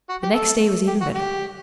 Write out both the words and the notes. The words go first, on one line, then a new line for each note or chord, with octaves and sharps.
The next day was even better.
F#4
G4
A4
G4
F#4
G4